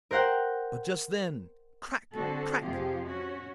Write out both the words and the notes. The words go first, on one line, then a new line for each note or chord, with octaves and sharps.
But just then--crack! crack!
A#4 C5 F#5 G5
D3 C4 D4 F#4 A4
F2 C3 F3 F4 G4 G#4
C#4 F#4